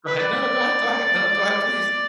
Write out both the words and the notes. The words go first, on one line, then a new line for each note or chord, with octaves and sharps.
go ahead. No, no, go ahead, go ahead. No, go ahead, please.
B4
B4 D5